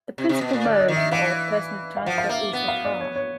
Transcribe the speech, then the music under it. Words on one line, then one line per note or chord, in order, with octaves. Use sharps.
The principal mode of personal transport is the car.
C3
C3
B2
A#2
D3 D5
D#5
D#3
E5
E3 F5
F5
F3 F#5
F5
A#3 E5
B3 F#5
F5
D5
C#5
C#5